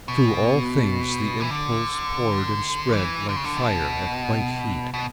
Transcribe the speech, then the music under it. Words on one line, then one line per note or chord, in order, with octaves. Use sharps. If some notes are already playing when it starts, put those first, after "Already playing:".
Through all things the impulse poured and spread, like fire at white heat.
B2
E3
D3
E3
D3
C#3
D3
A2
B2
B2